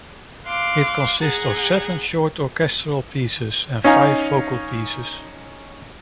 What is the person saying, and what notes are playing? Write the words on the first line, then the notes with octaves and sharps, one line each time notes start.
It consists of seven short orchestral pieces, and five vocal pieces.
F5 C6 D6 F#6
G#4 F#5 A#5 G#6
C#4 D#4 F5 G#5 A#5